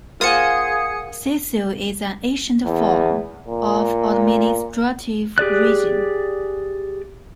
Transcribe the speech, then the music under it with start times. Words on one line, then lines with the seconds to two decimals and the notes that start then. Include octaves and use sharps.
Syssel is an ancient form of administrative region.
0.21 F4 G#4 A#4 C5 F5 F#5 D#6 C#7
2.66 E2
3.48 A#2
5.38 G4 G#4 D5 F#6